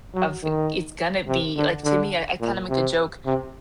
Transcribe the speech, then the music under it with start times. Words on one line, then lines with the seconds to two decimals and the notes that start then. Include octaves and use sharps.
of it's gonna be like, to me, I I kind of make a joke,
0.15 F#3
0.44 D#3
1.28 C3
1.57 D3
1.84 D3
2.41 A#2
2.69 C3
3.26 C3